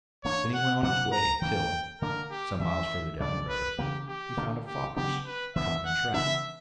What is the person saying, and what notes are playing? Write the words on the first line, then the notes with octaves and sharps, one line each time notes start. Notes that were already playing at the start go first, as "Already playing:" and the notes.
Then he went on his way till, some miles further down the road, he found a fox caught in a trap.
E3 A#3 D4 C#5
F#5
B2 F#3 A#3 D4 F#5
A#5
E3 A#3 C#4 G5
D3 A#3 D4 A#4
G4
E3 G3 C#4 E5
C#3 G3 B3 D4 D5
B4
C#3 E3 A#3 G4
G4
D3 A#3 D4
G4
C#3 F#3 B3 D4 G4
B4
E3 B3 D4 E5
F#5
C#3 E3 B3 D4 E5